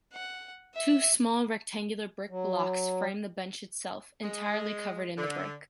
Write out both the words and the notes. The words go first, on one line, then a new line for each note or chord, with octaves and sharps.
Two small rectangular brick blocks frame the bench itself, entirely covered in brick.
F#5
E5
F#3
G#3
D3